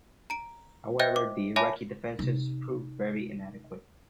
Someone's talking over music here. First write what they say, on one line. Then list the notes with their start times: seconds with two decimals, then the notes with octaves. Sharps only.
However, the Iraqi defenses proved very inadequate.
0.30 A#5 D7
0.99 C5 D#5 E5 G5 F#6 G6
1.16 D6
1.56 C#5 E5 G#5 A5 B5 D6
2.19 C3 D#4